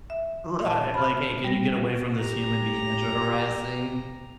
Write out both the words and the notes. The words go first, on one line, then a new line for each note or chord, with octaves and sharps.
Right, like, "Hey, can you get away from this human being that you're harassing?"
E5
A#2 A5
B5 F6
G3 A#6
G4 A#5